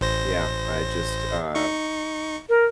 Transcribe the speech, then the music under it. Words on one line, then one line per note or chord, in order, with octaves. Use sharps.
yeah, I just, um
A1 C5 A#6
D#4 C#6
A#4